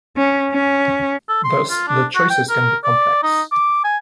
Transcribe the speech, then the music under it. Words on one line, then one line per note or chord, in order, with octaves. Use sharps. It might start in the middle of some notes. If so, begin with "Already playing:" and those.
Thus the choices can be complex.
C#4
C#4
A4
C6
F4
D4
F#4
G5
A#4
D5
D#4
D6
G#5